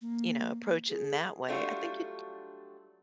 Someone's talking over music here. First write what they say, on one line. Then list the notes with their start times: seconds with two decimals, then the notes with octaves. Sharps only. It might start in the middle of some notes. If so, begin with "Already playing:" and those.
you know, approach it in that way, I think it
0.01 A#3
0.89 G#4
1.48 F#3 G3 A3 D4 F4 F#4